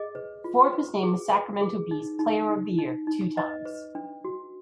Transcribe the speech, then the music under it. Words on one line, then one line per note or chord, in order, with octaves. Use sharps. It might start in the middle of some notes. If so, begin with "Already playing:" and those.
Ford was named the Sacramento Bee’s player of the year two times.
Already playing: G#4 D#5
B4
F4
B4
G#4
B4
G#4
D#4
D#4
D#4
D#4
D#4
B4 D#5
B4
D4
F#4